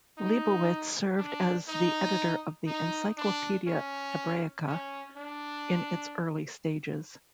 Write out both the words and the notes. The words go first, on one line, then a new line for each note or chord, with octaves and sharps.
Leibowitz served as the editor of the "Encyclopaedia Hebraica" in its early stages.
D#4
D4
D#4
D#4
D4
C#4
C#4
D4